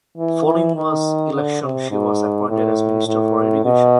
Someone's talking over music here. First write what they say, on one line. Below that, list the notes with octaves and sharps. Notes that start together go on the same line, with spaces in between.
Following the election she was appointed as Minister for Education.
E3
E3
D#3
D3
C3
G#2
A2
A2
B2